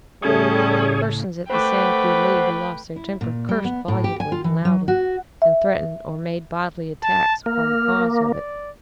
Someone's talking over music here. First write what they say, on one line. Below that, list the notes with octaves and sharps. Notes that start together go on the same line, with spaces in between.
Persons at the Sand Coulee who lost their temper cursed volubly and loudly, and threatened or made bodily attacks upon the cause of it.
A2 C#3 G3 A3 C#4 G#4 A4 C#5
A3 B4 C5 F#5 G5 D6
E4
A#2
G3
B3
A2
G4
G#5
F4
E3
F#3
F#4
E5
A5
A#3 F6
D5